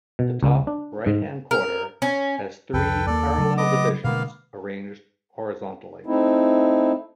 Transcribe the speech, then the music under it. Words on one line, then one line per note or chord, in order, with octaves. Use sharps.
The top right-hand quarter has three parallel divisions arranged horizontally.
B2
C#2
D4
G#2
A#4
C#4
C2 F2 A4 B4 G5
D#2 G3 A#3 A4 D5
C#3 F#3 A3
B3 D#5 D6
B2 D3 G#3 A#3 B3 F5
A3 C4 D#4 E4